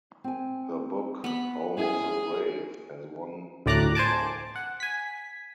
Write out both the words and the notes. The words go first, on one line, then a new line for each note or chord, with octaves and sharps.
Her book "Home of the Brave" has won two awards.
C4 G#5
B3 B5
C#4 E4 G#4
D2 A2 D5 A#5 D6 F#6
C5 G#5 A5 D6
F#5
G#5 B6